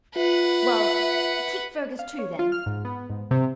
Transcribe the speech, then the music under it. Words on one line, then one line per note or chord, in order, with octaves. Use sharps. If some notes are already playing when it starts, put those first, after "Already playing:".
"Well, keep Fergus too, then."
F4 B4 E5 F#5
F5
C#5
F4
F6
G#2
B3
G#2
C3